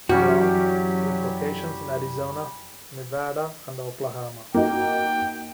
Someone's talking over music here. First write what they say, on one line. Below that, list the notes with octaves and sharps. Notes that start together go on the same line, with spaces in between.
Brown, with locations in Arizona, Nevada and Oklahoma.
F#2 E3 F#3 G3 C#4 F#4 G4
A#3 D#4 F#4 G5